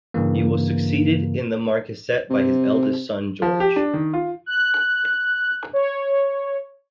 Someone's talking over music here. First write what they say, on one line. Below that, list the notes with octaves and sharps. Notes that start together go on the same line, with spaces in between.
He was succeeded in the marquessate by his eldest son, George.
G2 C#3 E3 A#3
C3
F3
G4
D4
D#3
F4
F#6
C#5